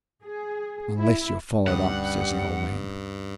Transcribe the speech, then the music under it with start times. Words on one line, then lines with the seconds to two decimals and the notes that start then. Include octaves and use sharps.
'Unless you're followed up,' says the old man.
0.23 G#4
0.99 E4
1.67 D2 G2 G3 C#4 F#5 D#6